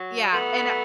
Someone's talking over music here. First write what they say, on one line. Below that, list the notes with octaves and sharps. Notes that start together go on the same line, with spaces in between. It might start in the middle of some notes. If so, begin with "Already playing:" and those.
Yeah, and a
Already playing: F#3
F#3 A3 B3